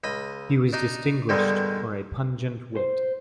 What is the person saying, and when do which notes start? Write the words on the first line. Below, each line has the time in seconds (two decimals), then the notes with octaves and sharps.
He was distinguished for a pungent wit.
0.04 C#2 D#5 B5
0.73 D4 D#4 D5
1.29 G2 B2 D3 D#3 G#3
2.76 C5